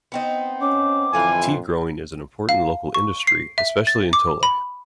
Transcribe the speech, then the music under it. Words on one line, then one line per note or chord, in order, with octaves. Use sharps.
Tea growing is an important local industry, especially in Tole.
B3 C4 D#4
C#4 D6
F2 D3 E3 E4 F4 B4 G#5
F5
C#6
C7
E5
A6
D6
B5